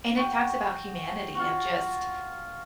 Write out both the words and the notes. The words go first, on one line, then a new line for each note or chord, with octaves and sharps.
And it talks about humanity of just
F#4 G5
F4 F#4